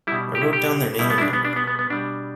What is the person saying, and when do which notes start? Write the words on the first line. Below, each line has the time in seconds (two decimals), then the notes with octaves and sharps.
I wrote down their name and number.
0.07 G3 E4
0.12 B2
0.35 G4
0.42 E4
0.53 G4
0.99 B2 G3 E4
1.10 B3
1.18 E4
1.21 D4
1.33 B3
1.45 D4
1.56 B3
1.67 B3
1.79 B3
1.90 B2 G3 D4